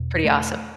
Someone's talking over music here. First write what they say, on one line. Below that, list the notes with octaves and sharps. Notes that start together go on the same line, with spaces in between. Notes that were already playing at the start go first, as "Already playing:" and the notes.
pretty awesome.
Already playing: E2 B2
A3